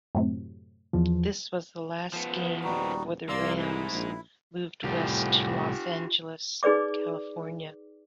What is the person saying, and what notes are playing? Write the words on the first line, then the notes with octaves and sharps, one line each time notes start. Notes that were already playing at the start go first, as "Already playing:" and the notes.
This was the last game before the Rams moved west to Los Angeles, California.
F#2 A2 C3
E2 F3
F3 B3
D#1 G3 D#4 F#4
C2 A#3 D5 C6 E6
G#2 G#3 E4
A#1
C2 A2 F4 G4
D#4 G#4 B4 D5 D6